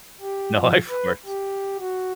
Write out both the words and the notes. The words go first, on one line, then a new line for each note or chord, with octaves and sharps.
No, I of course.
G4
F3
B4
G4
F#4